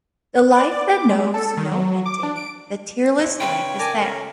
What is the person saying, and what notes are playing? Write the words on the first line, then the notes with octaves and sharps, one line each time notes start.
The life that knows no ending, the tearless life is there.
D5
D5
D6
G#3
A4
D#3
F#3
D6
D4
D7
C3 E4
C#3 F4 B4 C#5 G5
A#4 D5 G#5 A5
A3 C#4 A#4